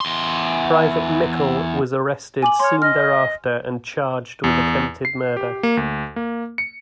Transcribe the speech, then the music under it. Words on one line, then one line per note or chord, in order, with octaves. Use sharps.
Private Mikel was arrested soon thereafter and charged with attempted murder.
E2 C6
G#5 D6 F#7
C#5 C6 F6
D#5 F6
E2
C7
G4
A#3
D2
A#3
C#7